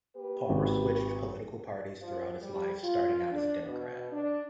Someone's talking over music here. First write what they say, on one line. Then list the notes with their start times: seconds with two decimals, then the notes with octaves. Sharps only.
Palmer switched political parties throughout his life, starting out a Democrat.
0.16 A#3 G4 B4
0.49 G#1
2.02 F3
2.42 G3
2.82 F4
3.32 D4
3.66 B2
4.12 D4